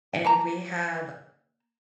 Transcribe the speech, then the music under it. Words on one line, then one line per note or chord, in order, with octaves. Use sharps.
and we have
A#3 A5 A#5